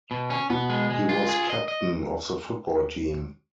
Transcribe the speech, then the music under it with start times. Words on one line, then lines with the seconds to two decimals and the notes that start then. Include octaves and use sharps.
He was captain of the football team.
0.11 B2
0.30 C#4
0.50 B2 B3
0.69 G#3
0.90 G#3
1.09 F4
1.29 G#4
1.50 D#5
1.68 D#5